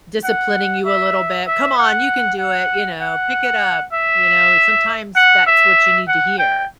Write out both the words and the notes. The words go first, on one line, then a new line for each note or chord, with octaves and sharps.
Disciplining you a little bit, "Come on, you can do it," you know, "Pick it up," you know, sometimes that's what you need to hear.
F#5
E5
E5
F#5
F#5
F#5
E5
F#5
E5
F#5
G5